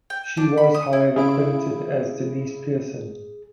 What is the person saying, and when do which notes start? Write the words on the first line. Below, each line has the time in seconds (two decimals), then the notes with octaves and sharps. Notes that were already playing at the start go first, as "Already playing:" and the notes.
She was, however, credited as Deniece Pearson.
0.10 G5
0.37 D4
0.57 B5
0.74 D#6
0.93 E4
1.16 C#3 E4 G#4 D7